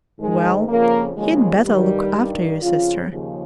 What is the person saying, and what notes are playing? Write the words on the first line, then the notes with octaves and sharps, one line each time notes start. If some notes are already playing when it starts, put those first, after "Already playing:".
Well, he'd better look after your sister!
G#2 D#3 G#3
F2 C#3 F3 A#3
D#2 C#3 F3 G#3
G2 D#3 G3
G2 D#3
F2 C#3 F3 F4
D#2 C#3 F3